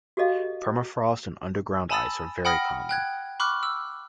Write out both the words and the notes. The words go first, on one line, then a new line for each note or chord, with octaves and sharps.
Permafrost and underground ice are very common.
F#4 G4 A4 D#5 F5
G#5 A5 B5 D#6 E6 A6
F#5 G5 B5 D#6 F6 A#6
G5 F#6 G#6
B5 C#6 D6 F6 F#6
E6